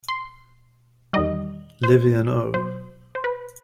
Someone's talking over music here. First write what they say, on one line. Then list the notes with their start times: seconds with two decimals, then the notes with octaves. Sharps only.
Levy and O.
0.08 C6
1.13 E2 D#3 G3 D#5
1.83 C5
2.54 B2 F#3 C5
3.15 C5
3.24 B4